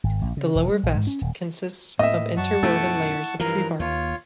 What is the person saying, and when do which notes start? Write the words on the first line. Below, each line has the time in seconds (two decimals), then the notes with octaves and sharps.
The lower vest consists of interwoven layers of tree bark.
0.04 G#1
0.22 A#1
0.37 C#3
0.55 E1
0.69 G3
0.83 A#1
0.95 G#2
1.07 C#4
1.21 D#1
1.99 A2 A#3 D#5 E5
2.37 F#2 F#5 A5 C#6
2.63 F#2 B2 A3 E4 E5
3.40 G2 E3 F3 A#4 B4 F5 F6
3.79 D#2 F4 C#5